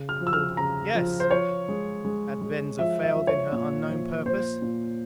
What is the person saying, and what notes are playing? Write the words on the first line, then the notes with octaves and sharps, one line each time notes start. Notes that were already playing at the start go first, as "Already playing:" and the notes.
I called, "Yes!" Had Venza failed in her unknown purpose?
Already playing: C#3
F6
F3
E6
F6
C#3 A#5
F3
C5
F3 C#5
G#3
G#3
G#3
F3 E5
E5
F3
C#5
A#2
F3
A#2 C5
A#2